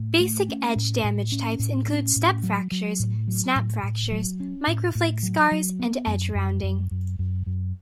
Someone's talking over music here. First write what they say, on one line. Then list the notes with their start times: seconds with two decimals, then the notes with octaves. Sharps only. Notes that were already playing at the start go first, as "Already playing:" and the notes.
Basic edge damage types include step fractures, snap fractures, micro-flake scars, and edge rounding.
Already playing: A2
0.20 A3
0.49 C#4
0.76 A2
1.04 A2
1.32 C#4
1.59 A2
1.88 C#4
2.16 A2
2.43 F#3
2.72 F#3
3.00 A2
3.28 F#3
3.56 A2
3.83 A2
4.12 F#3
4.40 C#4
4.67 A2
4.95 A2
5.23 F#3
5.51 F#3
5.80 B3
6.07 F#2
6.35 F#2
6.63 F#2
6.91 F#2
7.19 F#2
7.46 F#2